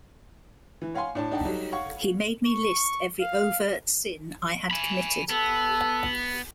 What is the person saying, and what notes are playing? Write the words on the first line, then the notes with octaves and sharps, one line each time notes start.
He made me list every overt sin I had committed.
E3
C#5 F5 F#5 G#5 C6
A2 D4 A5
D4 D#4 F#5 G5 A5
F#3 G3 D#4
C#5 F5 F#5 C#6
C#6
F5
G#5 B5
B3 A4